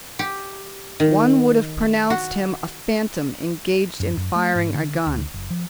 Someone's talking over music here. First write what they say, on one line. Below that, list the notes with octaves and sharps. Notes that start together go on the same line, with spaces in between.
One would have pronounced him a phantom engaged in firing a gun.
G4
D#3
F#4
F#2
F#2
A3
G#2
D3
D2
F#1
F3